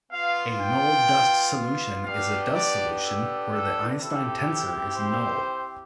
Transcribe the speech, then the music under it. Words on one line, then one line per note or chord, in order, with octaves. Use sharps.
A null dust solution is a dust solution where the Einstein tensor is null.
B3 F4 F5
G5
B3 D4 G4 F5
D5
A4
A4
C4 E4 G4 A4
C5